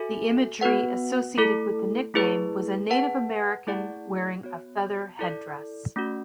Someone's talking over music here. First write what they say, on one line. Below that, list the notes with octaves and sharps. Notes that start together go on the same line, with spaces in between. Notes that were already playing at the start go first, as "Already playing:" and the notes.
The imagery associated with the nickname was a Native American wearing a feather headdress.
Already playing: F#4 A4 E5 G#5
B3 F#4 B4 F#5
A3 E4 A4
A3 E4 G#4 B4
G#4 B4 F#5 A5
A3 E4 G#4 D5 F#5
B3 F#4 C#5
E4 A4 D5
A3 C#4 F#4